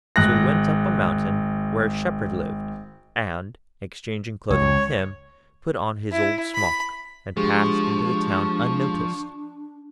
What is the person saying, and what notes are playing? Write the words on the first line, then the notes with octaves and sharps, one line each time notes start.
So he went up a mountain, where a Shepherd lived, and, exchanging clothing with him, put on his old smock, and passed into the town unnoticed.
G#1 F#6 A#6
C#2 C#5
E4
B5
F3 G#3 D4 G4 G#4 C#6